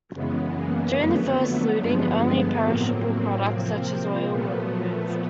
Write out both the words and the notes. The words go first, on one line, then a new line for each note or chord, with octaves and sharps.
During the first looting, only perishable products such as oil were removed.
F#2 C#3 E3 G#3 B3
A#3
F2 D3 F#3 A3 B3
G2 D3 F3 G#3 B3
A2 F#3 A#3 C4
C3 F3 A#3
A#2 F3 A3 B3